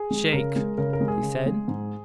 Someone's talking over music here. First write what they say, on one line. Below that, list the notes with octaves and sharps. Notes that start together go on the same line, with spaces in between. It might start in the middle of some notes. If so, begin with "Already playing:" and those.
"Shake!" he said.
Already playing: G#4
G#3
C#3 A#4
G#3
C#3 A#4
A#4
G#3
G#4
C#3
G#3
G#2